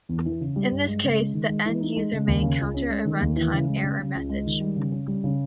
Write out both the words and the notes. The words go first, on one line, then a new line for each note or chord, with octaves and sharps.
In this case, the end user may encounter a "runtime error" message.
E2
E3
C#3
G3
G2
G#3
C#3
G#3
D#3
G#3
E3
D#4
G#3
C#3
D#2
C#3
C#2
C#4
G#3
D#3
D#2
E3
C#3
G#3
C#3
C#3
C#2
G#3
D#3
G3
C#3
C#4
G3
C#3